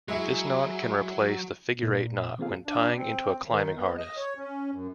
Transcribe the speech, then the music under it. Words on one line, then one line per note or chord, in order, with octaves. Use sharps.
This knot can replace the figure-eight knot when tying into a climbing harness.
F#3 G#3 E4 G#4
A#2
E3 A#3 C4 F4 G#4 F5
D4
C4
D#3
B3
D#5
C#5
C#4
F#2